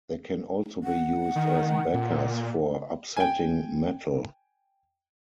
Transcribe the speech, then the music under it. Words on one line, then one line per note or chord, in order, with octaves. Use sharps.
They can also be used as backers for upsetting metal.
F#5
D#3
A#2
G5 G#5